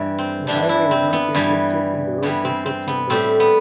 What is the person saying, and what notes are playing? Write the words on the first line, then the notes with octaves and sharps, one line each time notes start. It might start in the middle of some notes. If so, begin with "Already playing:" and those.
The highway is not yet listed in the road construction budget.
Already playing: G2 E3 G3
C4
G2 E3 G3 D4
E4
C4
B3
G2 E3 G3
G2 E3 G3 B3
C4
C4
B3
A2 G3 C4
B3